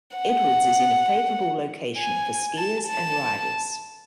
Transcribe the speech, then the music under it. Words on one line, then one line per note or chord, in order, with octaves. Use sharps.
Edwards is in a favorable location for skiers and riders.
F#5
G#5
A5
A5